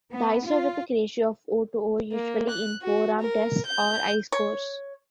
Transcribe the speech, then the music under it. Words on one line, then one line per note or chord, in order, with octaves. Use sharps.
The isotopic ratio of O to O, usually in foram tests or ice cores.
B3
F4
A#3
F#6
F#4
A#4
G6
C#5